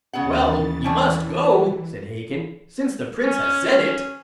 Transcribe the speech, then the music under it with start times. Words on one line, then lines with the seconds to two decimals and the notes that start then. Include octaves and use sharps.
'Well, you must go', said Hacon, 'since the Prince has said it.
0.13 D#2 C#3 E3 B3 F#5 A6
0.84 E3 A3 D4 G#4
3.24 C#4